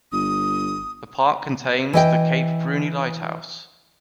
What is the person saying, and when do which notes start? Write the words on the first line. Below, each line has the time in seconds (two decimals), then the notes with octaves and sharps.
The park contains the Cape Bruny Lighthouse.
0.12 G1 D#6
1.93 E3 D#5 G5